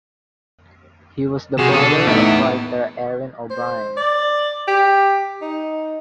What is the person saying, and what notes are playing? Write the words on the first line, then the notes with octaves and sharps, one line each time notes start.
He was the brother of writer Erin O'Brien.
C3 F#4 G#4 E7
B2 D4 A4 D#7
A2 B3 D#4 E5 D7
C5
D5
G4
D#4